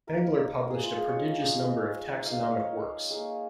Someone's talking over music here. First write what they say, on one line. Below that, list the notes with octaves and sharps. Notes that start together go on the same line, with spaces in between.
Engler published a prodigious number of taxonomic works.
A#3 D#4 A#4
A#3 D#4 A#4
G#4
F4
G#4
G#3 D#4 C#5
F5
D#5
G#3 D#4
G#3 D#4
F5
D#5
G#3 D#4 C#5
A#3 D#4 G#4